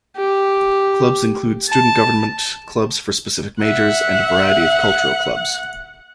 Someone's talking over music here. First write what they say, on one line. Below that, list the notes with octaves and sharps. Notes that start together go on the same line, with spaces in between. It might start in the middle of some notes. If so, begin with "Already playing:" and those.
Clubs include student government, clubs for specific majors, and a variety of cultural clubs.
G4
A5
E5 F#5